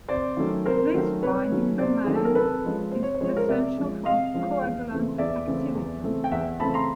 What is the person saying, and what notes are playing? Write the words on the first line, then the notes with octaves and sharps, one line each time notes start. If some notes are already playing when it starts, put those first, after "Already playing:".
This binding domain is essential for coagulant activity.
C3 C5 D5
D#3 F#3 A3 C#4
C3 A#4 C5
D#3 F#3 A3 C#4
C3 B4 C#5
D#3 F#3 A3 C#4
C3 C5 D5
D#3 F#3 A3 C#4 G#4
A4
A#4
C3 A4 B4
F3 G#3 C#4
C3 C5
C#5
C5
F3 G#3 C#4 C#5
A#4 C5
C3 D5 E5
F3 G#3 C#4
C3 D#5 F5
F3 G#3 C#4
E2
C#3 E3 A3 C4
E2 D5 E5
C#3 E3 A3 C4
E2
C#3 E3 A3 C4
G5
E2 E5 F#5
C#3 E3 A3 C4 A5 B5
A#5 C6